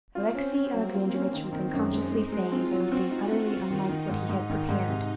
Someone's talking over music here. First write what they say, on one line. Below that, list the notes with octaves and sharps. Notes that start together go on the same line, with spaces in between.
Alexey Alexandrovitch was unconsciously saying something utterly unlike what he had prepared.
C4 F4
C#4
C#4
F#3 A#3
F4
C#4
D#3 C4
D#3
F#2
G#3 D#4
G#3
G#3
C4 F4
F#3
F#4
C4
D#4 F4
C4
C4
D#3 D#4
D#3
G#2
G#2
D#3
G#2
C3